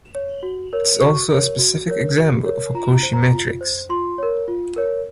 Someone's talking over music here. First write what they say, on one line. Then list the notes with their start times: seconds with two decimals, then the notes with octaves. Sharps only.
It is also a specific example of a Cauchy Matrix.
0.15 C#5
0.43 F#4
0.73 A#4 C#5
1.01 F#4 C#6
1.30 A#4 C#5
1.59 F#4
1.87 A#4 C#5
2.17 F#4
2.45 A#4 C#5
2.74 F4 A#5
2.93 A#5
3.03 C5
3.13 A#5
3.33 F4
3.61 C5
3.90 F4 C6
4.18 A#4 C#5
4.48 F4
4.76 A#4 C#5